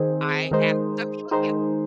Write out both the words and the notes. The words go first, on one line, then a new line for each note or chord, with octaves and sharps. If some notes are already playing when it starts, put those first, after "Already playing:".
I have some people can,
Already playing: D#3 C4 D#4 G#4 C5
D#3 G#3 D#4 C5
D#3 G#3 D#4 C5